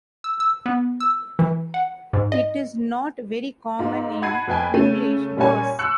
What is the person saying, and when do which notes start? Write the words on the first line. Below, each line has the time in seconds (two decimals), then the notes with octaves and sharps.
It is not very common in English verse.
0.24 E6
0.40 E6
0.66 B3
1.00 E6
1.39 E3
1.74 F#5
2.13 G#2
2.32 D#5
3.79 G#2 F4
4.22 F#5 A5 B5 G#6 C7 D#7
4.47 F2 B4 G5 G#5
4.74 C#3 A3 C#4 D#7
5.37 A#2 G3 C#4 C#5 G#5
5.79 C#6 E6 F#6 C#7